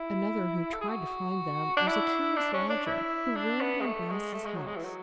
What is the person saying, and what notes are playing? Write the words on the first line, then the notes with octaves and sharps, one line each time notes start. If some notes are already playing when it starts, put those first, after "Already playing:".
Another who tried to find them was a curious lodger who roomed in Brass's house.
Already playing: E4
A4
G#4
F#4
D4
E4
D4
C#4
D4
E4
D4
B3
G#3
A3
G#3
A3
G#3
F#3
G#3
E3
F#3